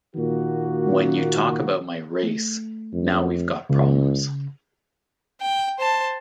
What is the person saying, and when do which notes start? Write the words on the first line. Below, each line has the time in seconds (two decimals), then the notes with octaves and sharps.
When you talk about my race, now we've got problems.
0.15 A#2 D#3 A#3 F#4
2.23 A3
2.93 F2
3.70 C#2 C#3
5.41 G5
5.79 C5 A5